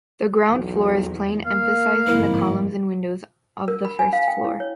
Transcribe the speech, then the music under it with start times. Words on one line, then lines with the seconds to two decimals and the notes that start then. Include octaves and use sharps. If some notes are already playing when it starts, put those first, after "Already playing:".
The ground floor is plain emphasising the columns and windows of the first floor.
0.51 B1 E2
1.46 A#3 F5
2.07 G1 F2 G#2 E4
3.68 A#4
3.85 B5
3.99 G#5
4.13 F5
4.28 G5
4.44 E4
4.60 C#5